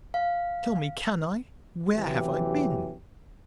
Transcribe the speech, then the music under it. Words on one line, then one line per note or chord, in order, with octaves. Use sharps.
Tell me! can I?--Where have I been?
F5
A1 E2 C3 E3 F#3 G4